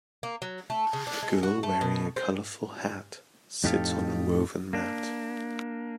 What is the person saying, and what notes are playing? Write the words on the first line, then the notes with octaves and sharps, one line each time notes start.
A girl wearing a colorful hat sits on a woven mat.
A#3
F#3
A3
C#3
D4
G#3
F#4
A3
B2
C5
F2 A2 D#4 G4 A4 F5
A#3 D4